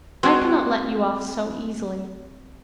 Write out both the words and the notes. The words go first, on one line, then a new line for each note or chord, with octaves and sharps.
I cannot let you off so easily.
G#3 C4 F#4